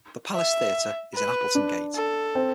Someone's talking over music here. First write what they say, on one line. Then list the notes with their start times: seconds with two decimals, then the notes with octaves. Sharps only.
The Palace Theatre is in Appletongate.
0.34 E5
1.15 B4
1.55 D4
1.95 A4
2.35 C4